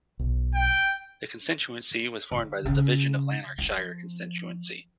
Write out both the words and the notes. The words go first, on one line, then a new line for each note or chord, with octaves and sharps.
The constituency was formed by the division of Lanarkshire constituency.
B1
G5
D3
C#3
F3